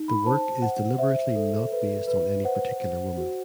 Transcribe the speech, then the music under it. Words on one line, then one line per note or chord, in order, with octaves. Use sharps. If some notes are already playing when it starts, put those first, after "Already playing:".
The work is deliberately not based on any particular woman.
Already playing: D#4
B5
C5 A5
C5 F#5
C5 E5
A4
B4
B4
C5 F#5
C5
F#4